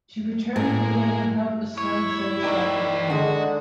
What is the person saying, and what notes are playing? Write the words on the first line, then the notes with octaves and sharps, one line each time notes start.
She returned to the game and helped the Sun finish off the win.
A2 G#3 A#3
E4 C#5
D#3 G4 C#5 D5
D3 G#3 F#4